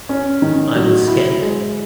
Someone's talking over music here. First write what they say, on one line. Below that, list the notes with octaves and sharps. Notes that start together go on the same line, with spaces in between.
I was scared.
C#4
D#3
F#3
E4
G#3